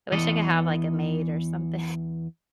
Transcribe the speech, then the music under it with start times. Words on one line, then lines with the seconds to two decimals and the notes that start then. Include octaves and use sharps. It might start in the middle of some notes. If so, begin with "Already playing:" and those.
I wish I could have, like, a maid or something.
0.12 E2 E3 A4 D#5